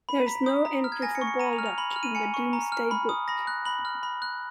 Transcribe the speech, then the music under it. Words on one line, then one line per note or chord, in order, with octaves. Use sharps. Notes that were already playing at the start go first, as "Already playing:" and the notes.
There is no entry for Baldock in the Domesday Book.
B5
A#5 B6
D#6
A#5
F6
G#6
G#5 A#6
C#7
C#6
C#7
A#5 D#7
F7
F6
F7
B5 F#7
F7
F6
D#7
G#5 C#7
C#6
A#5
F6
B5
D#6
B5 A#6
F#6
B5 F#7
F6
B5
F#6